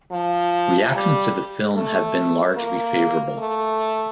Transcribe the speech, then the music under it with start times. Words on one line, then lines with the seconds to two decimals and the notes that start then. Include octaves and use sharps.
Reactions to the film have been largely favorable.
0.12 F3
0.94 G3
1.75 A3
2.57 A#3
3.39 A3